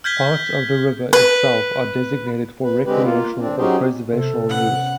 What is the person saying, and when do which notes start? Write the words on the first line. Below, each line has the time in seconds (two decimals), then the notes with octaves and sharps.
Parts of the river itself are designated for recreational or preservational use.
0.04 F6 G6 G#6 B6 G7
1.13 B4
2.64 B4
2.86 D3 G#3 C4 G4 B4
3.04 A#3 F4
3.39 C4 D4
3.57 F#3 C#4 D#4 G4 G#4 C5
4.12 C3 A4
4.49 B3 C#4 F#5